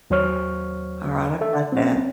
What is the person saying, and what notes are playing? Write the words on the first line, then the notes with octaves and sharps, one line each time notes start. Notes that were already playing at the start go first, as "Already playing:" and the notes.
Alright, I've got that.
D#2 F#3 C5 C#5 C#6 F6
A4 E5
C4 C#4